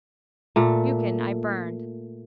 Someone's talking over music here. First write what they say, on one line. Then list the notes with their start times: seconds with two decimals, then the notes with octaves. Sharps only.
"Buchan" I burned.
0.56 A#2 A3